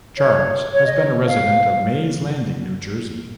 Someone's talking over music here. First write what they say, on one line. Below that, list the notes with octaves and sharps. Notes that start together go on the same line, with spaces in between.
Charles has been a resident of Mays Landing, New Jersey.
C#5
C#5
D#5
C#5
F5